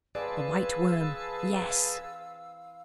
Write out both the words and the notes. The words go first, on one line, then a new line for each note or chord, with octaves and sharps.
"The White Worm--yes!"
E3 C4 G#4 B4 D5 F5 A5 E6